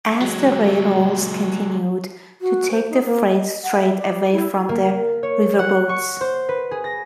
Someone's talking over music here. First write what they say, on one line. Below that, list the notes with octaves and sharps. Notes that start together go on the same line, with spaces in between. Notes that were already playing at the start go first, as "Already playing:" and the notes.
As the railroads continued to take freight trade away from the riverboats.
F#3 G#3
F#4
C5
D#4
A#3
D#5
F#5
E5
D5
E4
A#3
C#5
F#5
C#6
C5
B4
G#4
A#6